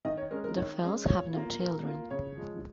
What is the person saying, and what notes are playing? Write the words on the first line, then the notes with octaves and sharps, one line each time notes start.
The Fells have no children.
D#3 D#5
C#5
G#3 C#4 A#4
A#4
D#3 C#5
G#3 C#4
A#2 C#5
A#3 F4
A#2 A#4
A#3 F4
C#3 C#5
F3 G#3